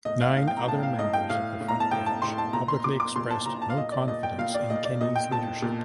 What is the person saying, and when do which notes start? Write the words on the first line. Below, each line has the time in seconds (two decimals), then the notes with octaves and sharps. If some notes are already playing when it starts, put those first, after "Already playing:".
Nine other members of the front bench publicly expressed no confidence in Kenny's leadership.
0.05 A2 D#5
0.21 F5
0.37 A2 F5
0.48 G5
0.57 A#5
0.67 A2 A5
0.83 F5
0.99 A2 D#5
1.13 G5
1.30 A2 F5
1.61 A2
1.68 A#5
1.80 A5
1.91 A2 G5
2.06 A5
2.22 A2 C6
2.38 A5
2.53 A#2 A#5
2.68 C6
2.84 A#2 D6
3.00 D6
3.16 A#2 C6
3.30 A5
3.46 A#2 A#5
3.62 A5
3.70 F5
3.76 A#2 D#5
3.92 D5
4.08 A#2 D#5
4.23 G5
4.38 A#2 F5
4.54 D5
4.70 A#2 D#5
4.85 D5
5.01 A#2 D#5
5.16 G5
5.31 A#2 A5
5.62 A#2